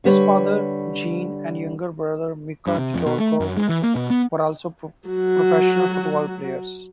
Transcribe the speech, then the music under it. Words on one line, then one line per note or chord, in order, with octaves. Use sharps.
His father, Jean, and younger brother, Micha Djorkaeff, were also professional football players.
D3 G3 B4 C#5
G2
C3
F2
B2
A3
F#2
G#3
E3
A#3
B2
B3
F#3 F#4